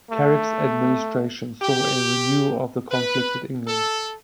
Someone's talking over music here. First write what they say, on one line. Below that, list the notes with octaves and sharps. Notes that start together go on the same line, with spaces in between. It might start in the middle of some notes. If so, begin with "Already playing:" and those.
Carrick's administration saw a renewal of the conflict with England.
A3
G4
B4
A4